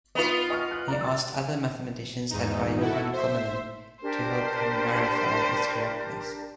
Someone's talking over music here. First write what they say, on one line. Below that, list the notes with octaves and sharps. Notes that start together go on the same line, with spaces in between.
He asked other mathematicians led by Johan Commelin to help him verify its correctness.
B3 D#4 F4 B4 D#5
D#5 C#6 F6
F#6
D5 A#5
E6 A6
E2 G#2 D#4
E4 F#4 A4
C5 E5
D4 G4 A#4 C5